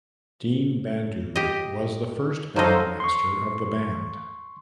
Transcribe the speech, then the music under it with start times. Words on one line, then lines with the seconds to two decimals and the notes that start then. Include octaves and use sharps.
Deen Bandhu was the first bandmaster of the band.
1.36 G4 D#5
2.56 F#3 G3 D#4 A4 C5 D#5 F5
3.00 C6 C#6